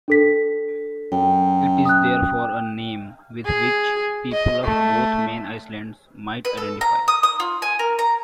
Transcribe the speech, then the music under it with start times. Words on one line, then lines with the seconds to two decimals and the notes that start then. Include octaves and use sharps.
It is therefore a name with which people of both main islands might identify.
0.08 D4 A4 B6
1.12 F#2 G5
1.85 D#6 F#6
3.45 G#4
4.32 D#5
4.64 A3
6.45 B4
6.57 A4
6.81 A#5
7.08 D#6
7.23 D#6
7.40 F4
7.62 G#5
7.79 A#4
7.99 A#5